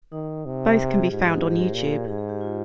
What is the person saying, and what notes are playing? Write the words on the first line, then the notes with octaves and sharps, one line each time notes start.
Both can be found on YouTube.
D#3 D#4
C3
G4
G#4
G4
G#2 F4
D#4
F4
G4
G#4
A#4
C5
A#2 A#4
G#4
G#2 G#4
G#4
G4
F4